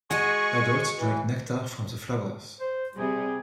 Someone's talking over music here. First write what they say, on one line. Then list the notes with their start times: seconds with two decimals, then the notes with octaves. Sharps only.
Adults drink nectar from the flowers.
0.11 G#3 F#4 G#4 D#5 C#6
0.98 E3
2.61 C5
2.96 C3 G3 G#4